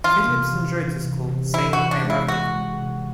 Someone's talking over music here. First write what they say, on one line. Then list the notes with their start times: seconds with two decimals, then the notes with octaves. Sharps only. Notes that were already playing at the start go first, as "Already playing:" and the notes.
Phillips enjoyed the school, saying, I loved it.
0.04 E3 F4
0.28 C3
0.53 E3
0.79 E3
1.04 C3
1.29 C3
1.53 E3 E4
1.73 F#4
1.79 E3
1.91 D4
2.04 G#3
2.10 E4
2.28 E3 F#4
2.54 G#3
2.78 C3